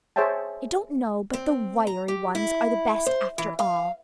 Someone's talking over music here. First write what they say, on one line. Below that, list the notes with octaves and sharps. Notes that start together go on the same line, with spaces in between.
I don't know but the wiry ones are the best after all.
G#4 C5 C#5 E5 G5 A5
C4
A#5
G4
E4
C5
E3
F5